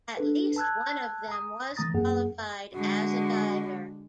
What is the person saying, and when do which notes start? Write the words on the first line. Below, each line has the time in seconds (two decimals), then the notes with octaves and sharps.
At least one of them was qualified as a diver.
0.17 D4 A4 B4
0.56 A5 E6 F#6 G#6
1.29 A#5 D#6
1.76 E3 A3 A#5 D#6 A6 A#6
1.94 F#2 A#3 G#4 F#5
2.73 D3 G#3 F#4